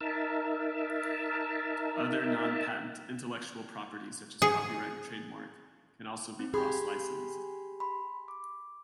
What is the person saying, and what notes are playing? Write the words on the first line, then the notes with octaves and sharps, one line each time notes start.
Other non-patent intellectual property such as copyright and trademark can also be cross-licensed.
D#4 A#4 E5 A5
G#4
C4
G4 G#4 G#5 B5 C6
B5 C6
D6